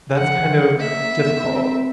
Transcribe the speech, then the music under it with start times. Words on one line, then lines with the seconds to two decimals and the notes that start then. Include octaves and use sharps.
that's kind of difficult.
0.17 F3 F#5
0.48 F#3
0.80 A#3 E5
1.12 B3
1.44 C4